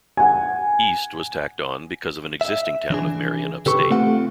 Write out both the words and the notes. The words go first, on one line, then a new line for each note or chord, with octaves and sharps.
"East" was tacked on because of an existing town of Marion upstate.
F#5 G#5
E5
E3 D4 G#4
C#3 G4 A4 B4 C#6
A3 C4 F4 F#5